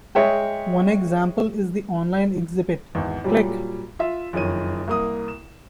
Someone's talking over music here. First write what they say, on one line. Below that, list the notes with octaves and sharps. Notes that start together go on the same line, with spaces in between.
One example is the online exhibit Click!
G#3 G#4 C#5 E5 G5
G#1 E2
A#2 F#3 G3
F4 E5
F#1 F2 D#3 C#5 D#7
C2 A#3 D#6
E7